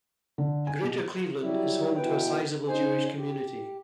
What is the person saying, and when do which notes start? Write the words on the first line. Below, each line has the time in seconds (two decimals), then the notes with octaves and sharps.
Greater Cleveland is home to a sizable Jewish community.
0.38 D3
0.67 G#5
0.83 B2
1.41 F#3 G3 E4
1.96 B2 E3 B3 B4 G5
2.68 C#3 D#4 C5 G#5
3.18 G4